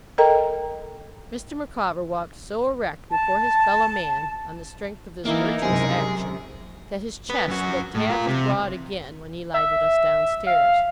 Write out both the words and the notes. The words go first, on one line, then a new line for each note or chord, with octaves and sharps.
Mr. Micawber walked so erect before his fellow man, on the strength of this virtuous action, that his chest looked half as broad again when he lighted us downstairs.
A4 A#4 D#5 G5 A#5
A5
E3 A#3 D#4 E4 A#4
C#2 F#2 C3 G3 C4 G#4
B3 B4
F#2 F#4
A2
F4 A#4
C3
E5
F5